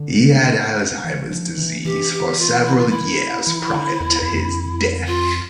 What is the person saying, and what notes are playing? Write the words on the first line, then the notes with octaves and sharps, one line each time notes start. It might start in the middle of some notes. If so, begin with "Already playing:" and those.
He had Alzheimer's disease for several years prior to his death.
Already playing: D3
E3
F3
E3
E3 G4
G4
F4
E4
F4
E4
E3
D3
E2
E2
F2
F4